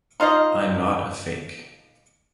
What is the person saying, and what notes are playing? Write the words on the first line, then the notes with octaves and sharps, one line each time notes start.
I'm not a fake.
D#4 F4 C5 D#5